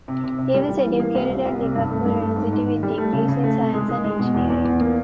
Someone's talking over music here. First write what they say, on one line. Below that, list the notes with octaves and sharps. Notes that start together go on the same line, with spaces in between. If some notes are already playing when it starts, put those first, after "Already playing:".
He was educated at Liverpool University with degrees in science and engineering.
C3
C3
C3
G3
G3
E3
A#3
C2
C2
C2
C3
G2
A3
G2
A3
G#2
G#2
D#3
G3
A3
C#3
C#3
A3
C3
G#3
G#3
G#3
B2
E2
E2
E2
A#3